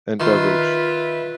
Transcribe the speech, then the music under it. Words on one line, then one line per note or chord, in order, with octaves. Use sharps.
and beverage.
D#3 F4 B4 E5